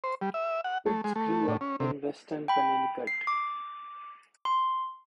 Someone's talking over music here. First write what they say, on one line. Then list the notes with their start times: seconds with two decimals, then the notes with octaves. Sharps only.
Pitts grew up in Weston, Connecticut.
0.04 C5
0.21 G3
0.34 E5
0.64 F#5
0.86 A3
1.04 G#3
1.16 A3
1.48 A2
1.61 C#4
1.80 C3
2.48 G5 B5
3.07 C7
3.27 D6
4.45 C6